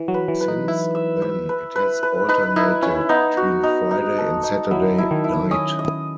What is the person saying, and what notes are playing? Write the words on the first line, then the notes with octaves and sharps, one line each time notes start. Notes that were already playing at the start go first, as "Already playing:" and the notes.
Since then it has alternated between Friday and Saturday night.
Already playing: E3
F#3
B4
E3
B4
D#4
E4 B4
E5
E5
B4
B4
B4
D#4 B4
D#4 E4
C#4 E4
B3 D#4
F#4
D#4
D#4
A4
D#4
F#3 E4
E4
D#3
E4
C#4 D#5
D#5